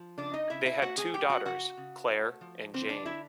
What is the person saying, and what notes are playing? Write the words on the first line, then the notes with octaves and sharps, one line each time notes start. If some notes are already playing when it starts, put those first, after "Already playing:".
They had two daughters, Clare and Jane.
Already playing: F3
C#3 D4 D5
D#4 D#5
C#3 E4 E5
E4 E5
A3 F#4 F#5
G#4 G#5
F3 G4 G5
F#4 F#5
C#3 F#4 F#5
C#3
A3
F3
D3 C4 C5
D4 D5
D3 E4 E5